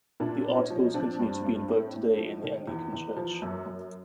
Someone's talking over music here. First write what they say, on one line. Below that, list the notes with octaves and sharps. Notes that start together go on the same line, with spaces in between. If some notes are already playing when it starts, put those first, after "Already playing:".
The Articles continue to be invoked today in the Anglican Church.
A#2 D4 E4
A#2
C#4 D#4
F3
F3 C4 D4
G2
G2
A2
A2
F3
D#3
E2
E2
F3
F#2
F#2